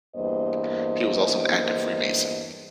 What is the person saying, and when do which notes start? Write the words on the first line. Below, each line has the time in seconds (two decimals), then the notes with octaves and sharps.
He was also an active Freemason.
0.16 E2 G2 A#3 C5 D#5